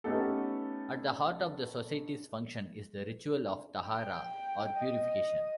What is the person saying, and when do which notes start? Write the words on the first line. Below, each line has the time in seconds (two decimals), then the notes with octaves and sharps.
At the heart of the society's function is the ritual of "tahara", or purification.
0.04 A3 B3 C#4 D#4 G4 A4
3.85 G5
4.77 D#5